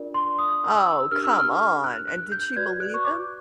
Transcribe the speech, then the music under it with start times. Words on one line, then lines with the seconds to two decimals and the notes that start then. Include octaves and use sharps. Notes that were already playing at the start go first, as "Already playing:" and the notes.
Oh, come on. And did she believe him?
Already playing: D4 F4 A#4 D5
0.14 C6
0.39 D#6
0.75 E6
1.11 D4 G4 A#4 F6
1.24 E6
1.39 F6
1.84 F#6
2.08 F#6
2.32 G6
2.56 F#4 B4 D5 G#6
2.80 F#6
2.94 C#6
3.04 D6